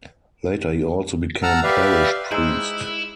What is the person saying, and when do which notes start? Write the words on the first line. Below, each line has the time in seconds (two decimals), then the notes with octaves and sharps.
Later he also became parish priest.
1.43 F#5 A5 A#5 E6 F6
1.63 G4 B4 D5 E5 F5
2.31 G#3 D#4 E4 G#4 C5 E6 F#6 G6